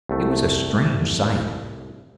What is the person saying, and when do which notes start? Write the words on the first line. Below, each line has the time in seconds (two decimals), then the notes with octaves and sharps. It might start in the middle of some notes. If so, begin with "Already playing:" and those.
It was a strange sight.
0.09 C2 A3